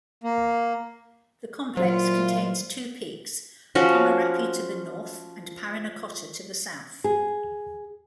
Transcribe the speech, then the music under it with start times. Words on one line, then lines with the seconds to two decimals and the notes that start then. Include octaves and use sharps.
The complex contains two peaks, Pomerape to the north and Parinacota to the south.
0.24 A#3
1.77 A#2 E3 F#3 F4 C5 C6
3.75 F3 C#4 F#4
7.04 G#4